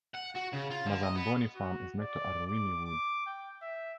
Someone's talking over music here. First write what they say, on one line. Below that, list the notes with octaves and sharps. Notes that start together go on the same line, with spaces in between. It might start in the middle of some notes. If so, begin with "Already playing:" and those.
Mazamboni Farm is next to Aruwimi Wood.
F#5
F#4
C#3
F4
D3
D#5
B3
F#4
D5
D6
D6
G5
E5